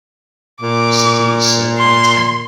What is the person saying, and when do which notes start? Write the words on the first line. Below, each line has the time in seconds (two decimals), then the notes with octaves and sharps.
The city is served by Ten.
0.62 A#2 D6
1.78 C6